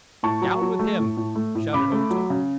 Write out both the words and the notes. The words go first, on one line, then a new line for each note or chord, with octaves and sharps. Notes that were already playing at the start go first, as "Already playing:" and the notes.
"Down with him!" shouted O-Tar.
A2 A5 C#6
F#3
F#3
A3
A2
A2
A3
A2
C#3 B5 D6
A3
F#3
C#3